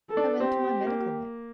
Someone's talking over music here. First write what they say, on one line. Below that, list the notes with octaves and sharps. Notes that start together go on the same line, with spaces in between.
I went to my medical man.
A4
D4
C4 G4
A#3